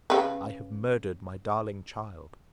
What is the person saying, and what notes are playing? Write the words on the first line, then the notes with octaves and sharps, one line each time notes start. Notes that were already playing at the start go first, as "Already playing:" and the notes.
I have murdered my darling child!'
C#3 B4